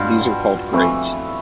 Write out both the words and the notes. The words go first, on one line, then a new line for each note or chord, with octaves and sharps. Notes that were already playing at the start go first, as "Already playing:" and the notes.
These are called grades.
Already playing: G2 B2 B3 F4
F2 E3 A3 E4